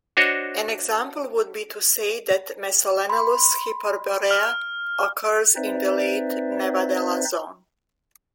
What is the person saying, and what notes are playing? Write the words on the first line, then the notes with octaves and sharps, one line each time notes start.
An example would be to say that "Mesolenellus hyperborea" occurs in the late "Nevadella"-zone.
D4 F#4 C5 C#5 D#5
B5 C6
F6
C4 D#4 B4 C5 D5 E5